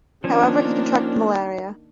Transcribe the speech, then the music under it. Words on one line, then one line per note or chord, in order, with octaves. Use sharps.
However, he contracted malaria.
D#3 F3 A#3 C#4 D4